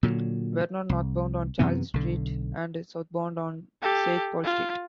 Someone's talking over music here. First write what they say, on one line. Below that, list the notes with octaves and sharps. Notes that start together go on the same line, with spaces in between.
Vernon northbound on Charles Street and southbound on Saint Paul Street.
A#2 D3 F#3
C2
F#2 C3 E3 B3
B1 D3
G4 A4
F4